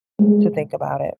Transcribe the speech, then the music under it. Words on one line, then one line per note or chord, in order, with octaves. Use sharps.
to think about it.
G#3